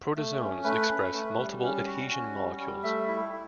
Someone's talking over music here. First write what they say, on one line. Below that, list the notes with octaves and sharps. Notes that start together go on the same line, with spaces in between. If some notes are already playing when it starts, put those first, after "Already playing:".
Protozoans express multiple adhesion molecules.
A3
C#4
A3 B4
C#4
A3
G3
C#4
F#4
C#4
G3
G3
A3 E5
E4
E4